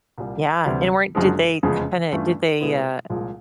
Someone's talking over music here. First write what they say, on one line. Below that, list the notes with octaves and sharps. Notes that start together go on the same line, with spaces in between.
Yeah. And weren't did they kinda did they, uh
C2 A#2 G3
D2 C3 E3 G3
F#1 F#2 D3 F3 G#3
F1 E2 C#3 F3 G#3
G2 E3 A3 C#4 F4
B2 G#3 B3 E4
C2 A#2 F3 G#3